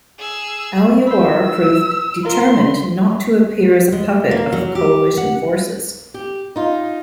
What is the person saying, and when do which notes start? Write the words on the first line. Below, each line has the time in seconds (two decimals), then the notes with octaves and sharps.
Al-Yawar proved determined not to appear as a puppet of the Coalition forces.
0.18 G#4 E6
1.07 B4 C5 E6
2.25 F4 A#4 C6
3.92 G#3
4.31 A#3
4.52 F#3
4.75 G4
5.17 F#5
6.14 G4
6.56 D#4 F4